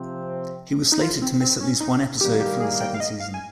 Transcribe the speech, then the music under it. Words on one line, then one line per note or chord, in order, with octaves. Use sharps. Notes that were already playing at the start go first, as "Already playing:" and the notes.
He was slated to miss at least one episode from the second season.
Already playing: C3 F3 C4
D#4
F4
C4
C4
C#4
D#4
D#3 G3 A#3 G4
G4
G#4
G5
F5
D#5
F5
G#5